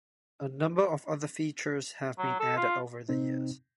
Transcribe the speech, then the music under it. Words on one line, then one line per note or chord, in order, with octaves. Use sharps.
A number of other features have been added over the years.
F#3
A4
F4
C3 C4 D#4